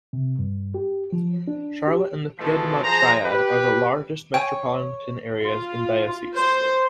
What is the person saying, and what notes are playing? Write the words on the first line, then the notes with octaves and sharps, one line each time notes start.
Charlotte and the Piedmont Triad are the largest metropolitan areas in the diocese.
C3
G2
G4
F3
D4
G4
B2 E3 F3 G#3 A3
F3 G#4 C5 A#5
G4 B4
C#5 G5 G#5
F4
C5